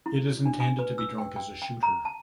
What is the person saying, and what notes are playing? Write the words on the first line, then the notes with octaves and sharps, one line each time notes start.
It is intended to be drunk as a shooter.
E4
D4
G#5
B4
E6
G5
G5
G5
A#5
A5